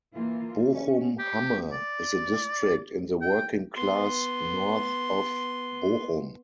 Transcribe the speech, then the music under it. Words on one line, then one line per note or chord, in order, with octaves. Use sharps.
Bochum-Hamme is a district in the working-class north of Bochum.
E3 A#3 F4
C#4
G4
D5
G5
B3 C6